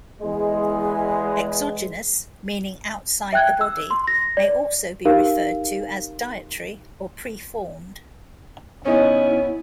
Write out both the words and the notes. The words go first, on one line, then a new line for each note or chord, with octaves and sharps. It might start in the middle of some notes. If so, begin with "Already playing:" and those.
Exogenous, meaning "outside the body", may also be referred to as "dietary" or "pre-formed".
E2 G#3
E5 G5 F#6 G#6
E6
C6
A#6
D5
D#4 G4 A#4 F5
B2 B3 C#4 D#4 E4 D#5